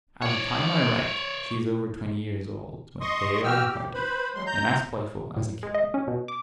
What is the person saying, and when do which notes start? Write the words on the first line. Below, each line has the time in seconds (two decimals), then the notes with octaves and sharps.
At the time I write, she is over twenty years old; but hale and hearty, and as playful as a kitten.
0.22 C#5 D5
3.01 D#5 C6 C#6 D#6
3.44 E3 F#4 G4 G5 E6 F6
3.68 G4
3.94 B4 C5 B5
4.35 E2 F#3 G#3 C6
4.46 A#5 G6
5.37 A2
5.63 G#3
5.75 D#5
5.94 C#4
6.07 B2
6.28 D6